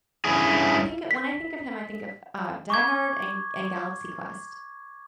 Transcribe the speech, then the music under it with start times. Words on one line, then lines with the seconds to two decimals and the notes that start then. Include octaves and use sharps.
I think when I think of him, I think of, uh, "Die Hard" and and "Galaxy Quest"
0.25 G2 C#4 E4 G#4
1.11 B6
2.70 C#6 D6 G#6